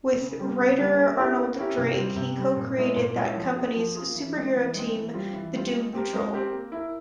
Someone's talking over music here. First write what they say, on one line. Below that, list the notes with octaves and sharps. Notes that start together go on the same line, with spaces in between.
With writer Arnold Drake, he co-created that company's superhero team the Doom Patrol.
C#3
G3 A#3
C#3
G3 A#3
A#3
C#4 E4 G4 A#4
A#3
C#4 E4 G4 A#4
C3
G3 C4
C3
G3 C4
A#2
G#3 E4 A#4 C#5
A#2
G#3 E4 A#4 C#5
F3
A#3 F4 G#4
F3
A#3 F4 G#4
E3
G#3 C4
E3
G#3 C4
E3
G3 C4 F4
E3
G3 C4 F4
G#3
C4 G4 A#4
G#3
C4 G4 A#4
A#3
E4 A#4